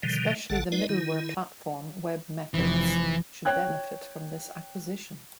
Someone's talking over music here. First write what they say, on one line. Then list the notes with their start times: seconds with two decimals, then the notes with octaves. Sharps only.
Especially the middleware platform WebMethods should benefit from this acquisition.
0.03 B2 D3 D#3 F3 G3
0.50 A1 D3 A4 F#5
0.72 G#3 D#4 B4 D5
0.89 D#3 E4
2.54 F1 E3 F3
3.45 C#5 G5 F#6 G#6